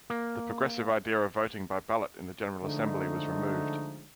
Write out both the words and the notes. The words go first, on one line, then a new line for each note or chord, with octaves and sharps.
The progressive idea of voting by ballot in the General Assembly was removed.
A#3
D3 F3 G#3 A3 D#4